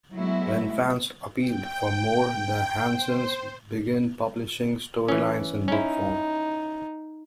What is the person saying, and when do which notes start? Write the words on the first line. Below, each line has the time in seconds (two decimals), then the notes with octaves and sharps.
When fans appealed for more, the Hansens began publishing storylines in book form.
0.15 F#3 G#3 A3 B3 E4 F#4
1.40 G5
2.30 G5
2.90 C5
5.08 E3 C#4
5.68 C#4 D#4 E4